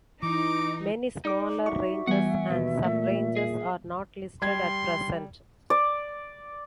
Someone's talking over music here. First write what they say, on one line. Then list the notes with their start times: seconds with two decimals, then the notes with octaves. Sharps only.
Many smaller ranges and subranges are not listed at present.
0.23 E3 D#4 D6
1.25 D#4 D5 D6
1.66 F#4 E5 C#6
2.07 E3 G3 B3 F#5 G#5
2.50 D#2 B2
2.84 A#2 A3
3.36 G#4
4.42 G3 C6 G#6
5.70 D5